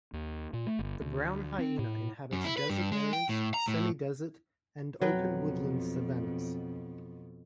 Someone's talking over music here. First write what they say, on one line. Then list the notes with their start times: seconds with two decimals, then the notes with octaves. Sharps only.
The brown hyena inhabits desert areas, semi-desert, and open woodland savannahs.
0.13 D#2
0.53 A#2
0.67 A3
0.79 G1
1.01 D2
1.58 C4
1.79 A2
2.33 F#2
2.45 E4
2.57 B4
2.70 G2
2.92 G#3
3.13 G5
3.29 A2
3.54 A#5
3.68 A2
5.02 F2 B2 F#3 B4 G5